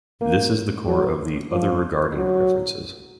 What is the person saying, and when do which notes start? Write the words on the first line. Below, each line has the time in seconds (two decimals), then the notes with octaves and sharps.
This is the core of the "other-regarding" preferences.
0.21 A#3
0.86 F#3
1.51 F3
2.16 F#3